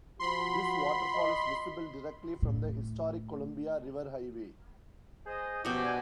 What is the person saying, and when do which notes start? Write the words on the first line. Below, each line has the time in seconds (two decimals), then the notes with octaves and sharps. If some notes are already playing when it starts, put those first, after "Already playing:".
This waterfall is visible directly from the Historic Columbia River Highway.
0.20 F3 F#4 B5 C6
1.14 D#5
2.42 A2
5.26 G#4 C5 D#5
5.65 F#2 B2 F3 A3 F#4 G4
5.84 D4 G#5